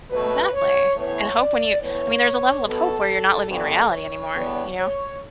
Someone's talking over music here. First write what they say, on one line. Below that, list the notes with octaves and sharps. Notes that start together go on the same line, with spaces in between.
Exactly, and hope when you I mean, there's a level of hope where you're not living in reality anymore, you know?
B2 F#3 A3 B4
C#5
A2 E3 B3 C#5
D5
A2 E3 B3 C#5
B2 F#3 B3 A4
F#2 D3 G3 B3 A4
C#5
E2 D3 G3 B3
C#5